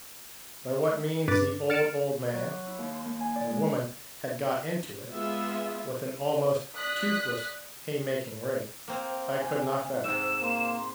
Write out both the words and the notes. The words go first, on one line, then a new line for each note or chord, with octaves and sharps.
By what means the old old man and woman had got into it, with an almost toothless hay-making rake, I could not fathom.
G2 B4 D6 A6
F6 A6 C#7 D7 E7
F#3
D6
E4
D#2
C6
A#3
G#5
D5
G#3
G#3 B3 F4 G#4 E5
D5 D#6 F#6 B6
A#3 C4 G5
G#5
G#2 C3 E6 E7
A#3 C6